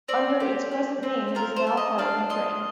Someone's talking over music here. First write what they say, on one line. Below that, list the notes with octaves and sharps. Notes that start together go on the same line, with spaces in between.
Under its present name it is now part of Ukraine.
C4 D5
G4
G4
C4
F4 A#4
C5
A4
D#5
D4 F5
F4 D#5